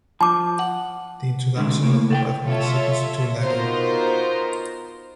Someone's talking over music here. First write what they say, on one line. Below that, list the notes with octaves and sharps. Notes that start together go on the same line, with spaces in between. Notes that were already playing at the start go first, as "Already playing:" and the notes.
The introduction of craftsmanship is too lacking.
F3 A5 D6
F#5
D2 D3 G#3
A2 A#3
A4 F#5 G5
F4 A4 C#5 E5
B3 D#4 F4 F#4 A#4 C5